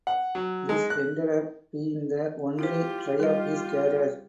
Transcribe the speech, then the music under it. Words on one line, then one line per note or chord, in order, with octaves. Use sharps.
This ended up being the only try of his career.
F#5
F#3
G#3
F#6
E4 F4 G4 C5
G3 F4 G4 D#5